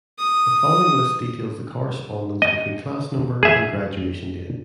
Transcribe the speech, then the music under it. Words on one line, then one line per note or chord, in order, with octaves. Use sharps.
The following list details the correspondence between class number and graduation date.
D#6
D#5
G#4 E5